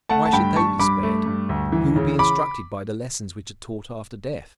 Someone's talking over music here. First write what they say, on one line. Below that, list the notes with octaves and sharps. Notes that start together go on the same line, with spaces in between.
Why should they be spared? Who will be instructed by the lessons which are taught after death?
A3 F#5 A5
A5
G2 G5 B5
G2 A5 C#6
G2 B5 D6
A3
G2
D2
E3
C#3
B5 D6